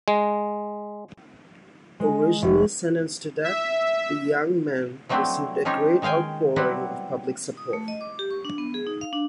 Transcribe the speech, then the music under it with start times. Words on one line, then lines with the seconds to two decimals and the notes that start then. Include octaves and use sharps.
Originally sentenced to death, the young men received a great outpouring of public support.
0.08 G#3
2.00 G#3
2.42 F1
3.44 E5
5.09 F3 F#3 A3 C4 D4 E4
5.65 F3 C#4 D#4 F4 G4 C#5
6.02 D#3 G#3 F5 G5 G#5
6.56 F#3 G3 B3 C4 E4 F#4
7.57 D#6
7.73 A3
7.88 D#5
8.01 D6
8.19 G4
8.31 C#6
8.45 D4
8.58 B3
8.74 G#4
8.87 D#4
9.01 F5
9.13 D4